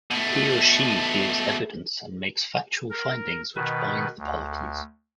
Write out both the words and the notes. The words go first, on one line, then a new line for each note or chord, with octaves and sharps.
He or she hears evidence and makes factual findings which bind the parties.
B2 A3
A#4
B2 D#3 B4
D2